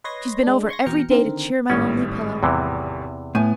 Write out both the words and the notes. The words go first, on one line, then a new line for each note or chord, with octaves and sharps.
She's been over every day to cheer my lonely pillow.
B4 C#5 D#5 C6 G#6 A#6
G#3 D4
C6 C#6 G#6 A#6
E2 B2 G5 A#5 F6 C#7
D3 D#3 C4 A#4
G#1 A2 G3 C#4
E2 C3 E3
A2 B3 G#5 D#7